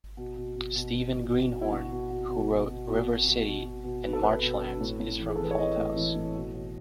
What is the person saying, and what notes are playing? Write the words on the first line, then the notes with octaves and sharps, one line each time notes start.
Stephen Greenhorn, who wrote "River City" and "Marchlands", is from Fauldhouse.
B2
B2
B2
B2
B2
B2
B2
B2
E4
B2 F#4
B2
B2
B2
B2
B2
B2
B2
B2
B2
B2
B2
B2 B4
A4
B2 B4
B2
B2
A2
A2
E3
G#4
A4
E3 B4
C#5
E3 D#5
A2
E3
A2
B2
B2